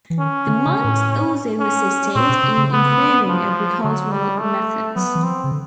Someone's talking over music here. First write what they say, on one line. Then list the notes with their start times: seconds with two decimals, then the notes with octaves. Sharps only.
The monks also assisted in improving agricultural methods.
0.10 E3
0.19 D#3 C#4
0.47 D3
0.66 C#3
0.84 A2
1.59 C#4
2.15 A#2 C4
2.29 B2
2.43 C3
2.57 C#3
2.72 B3
3.28 F3
3.84 D3 F#3
4.12 G3
4.40 A3
4.96 F#3 B3
5.15 E3
5.23 F3 C4
5.44 C#3
5.52 D3